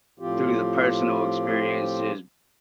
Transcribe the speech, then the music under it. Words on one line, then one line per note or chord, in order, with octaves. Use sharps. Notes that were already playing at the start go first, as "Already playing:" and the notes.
through the personal experiences,
A2 F3 C4 F4 G4